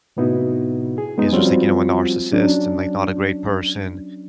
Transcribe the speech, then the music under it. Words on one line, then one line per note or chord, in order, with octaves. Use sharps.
is just, like, you know, a narcissist, and, like, not a great person,
A2 C3 B3 D#4 E4 F#4
G#4
G#3 B3 C#4 D#4
F3 G3 C4 C#4 F4 F#4
F#3 C#4 D4